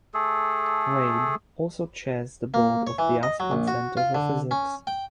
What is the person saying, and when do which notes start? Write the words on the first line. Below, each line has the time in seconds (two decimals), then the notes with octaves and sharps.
Rabe also chairs the board of the Aspen Center for Physics.
0.14 A3 G#4 A4
2.54 A#3
2.87 C#5
2.99 E3
3.23 D#5
3.40 F#3
3.51 A#1
3.68 F#4
3.97 F4
4.15 D3
4.51 C#4
4.87 G5